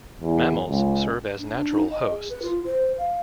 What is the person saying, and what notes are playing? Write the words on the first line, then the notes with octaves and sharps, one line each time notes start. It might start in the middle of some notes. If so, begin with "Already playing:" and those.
Mammals serve as natural hosts.
E2
C#2
D4
D#4
D#5
G#4
B4
F4
C5
F5